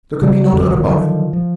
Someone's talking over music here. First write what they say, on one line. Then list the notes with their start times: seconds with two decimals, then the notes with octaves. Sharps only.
There could be no doubt about it.
0.22 C#3 G3
0.53 F2 D3 E3 G3
0.70 D1 C2 D#3
0.88 D3 D#3 F3 F#3
1.33 F3